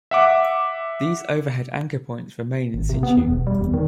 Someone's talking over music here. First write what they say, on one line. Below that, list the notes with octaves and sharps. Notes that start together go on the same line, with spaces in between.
These overhead anchor points remain in situ.
E5 F#5 D6
G#1
C3
B3
E2
E1
G3
E2
D#3